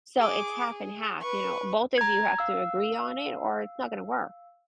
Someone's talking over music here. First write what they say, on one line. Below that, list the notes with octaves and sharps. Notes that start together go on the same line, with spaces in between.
so it's half and half, you know? Both of you have to agree on it or it's not gonna work.
G#4 D6
G#4
B4 C#6
A#5 G#6
F5 E6